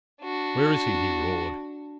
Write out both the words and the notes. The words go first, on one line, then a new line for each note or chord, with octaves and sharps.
"Where is he?" he roared.
D4 F#4